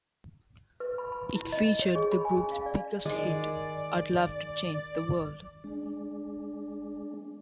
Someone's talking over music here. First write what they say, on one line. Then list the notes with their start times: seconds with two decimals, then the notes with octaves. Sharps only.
It featured the group's biggest hit, "I'd Love to Change the World".
0.80 B4
0.98 B5
1.12 B5
1.35 E4
1.52 D#5
1.82 C#5
1.95 G#4
2.12 B5
2.25 G#5
2.37 C#4
2.52 F5
2.66 D5
3.05 D#3 G#3 D5
5.64 G#3 D4